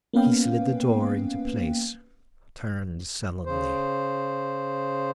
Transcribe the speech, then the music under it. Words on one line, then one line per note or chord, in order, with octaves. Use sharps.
He slid the door into place, turned sullenly.
A#3 B3 C#4 B4 F5 G5
C#3 C5